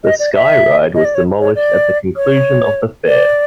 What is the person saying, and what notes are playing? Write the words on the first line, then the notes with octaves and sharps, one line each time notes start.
The Sky Ride was demolished at the conclusion of the fair.
D#5
D5
E5
D#5
D5
C#5
C#5
D5
C#5
D5